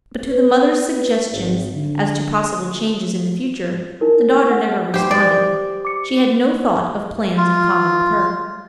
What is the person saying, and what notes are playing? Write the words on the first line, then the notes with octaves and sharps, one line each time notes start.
But to the mother's suggestions as to possible changes in the future, the daughter never responded: she had no thought of plans in common with her.
B4
G#1
D3
D#4 E4 A#4
F#5
G4 C5 G6
D5
D6 C#7
F4